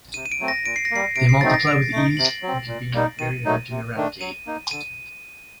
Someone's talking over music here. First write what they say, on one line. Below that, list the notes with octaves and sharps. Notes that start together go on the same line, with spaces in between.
They multiply with ease and can be very hard to eradicate.
C3 D#7
D#7
D7
F#3 A3 C4
A#6
A#2 D7
C7
A#6
G3 A#3 C7
C3 D7
C7
F#3 A3 C4 D#4 A6
A#6
D3 D7
A3 D#4
C3 F#7
F#3 C4
A#2
G3 A#3 D#4
D#3 D#7
F#3 A3 D#4
C3
D#3 A3 D4
F#3 D#7
A#3 D#4
D3 D#7